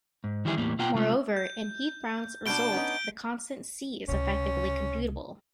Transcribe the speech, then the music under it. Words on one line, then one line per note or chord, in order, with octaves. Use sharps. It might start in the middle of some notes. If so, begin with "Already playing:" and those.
Moreover, in Heath-Brown's result the constant "c" is effectively computable.
G#2
D#3 E3 G3 E4 F#4 G#4
E2 A2 G3 A#3
B2 A#3 F4 F#5 G5 A#5
C3 G#3 F4
G6
B2 D4 G6 D7 G7
B3 C#4 D#4
C#2 C3 C#4